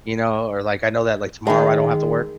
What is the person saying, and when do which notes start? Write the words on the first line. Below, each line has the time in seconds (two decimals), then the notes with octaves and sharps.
you know? Or, like, I know that, like, tomorrow I don't have to work,
1.47 D#3 G#3